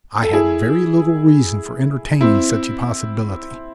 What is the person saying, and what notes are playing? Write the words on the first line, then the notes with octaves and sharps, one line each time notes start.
I had very little reason for entertaining such a possibility.
A4
E4 G#4
C4 E4